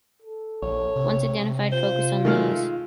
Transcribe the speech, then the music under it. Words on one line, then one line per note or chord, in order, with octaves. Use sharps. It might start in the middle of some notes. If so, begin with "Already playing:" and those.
Once identified focus on these.
A4
A#1 C#5
C3
F4 C5
D#3 G#3 A3 F6